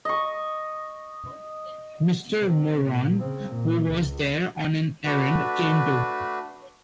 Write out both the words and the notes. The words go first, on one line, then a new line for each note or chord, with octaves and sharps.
Mrs. Moran, who was there on an errand, came too.
D#5 C#6
C3
A#2
C#3 C4
A#2
C#2
A3 D4 F#4 B4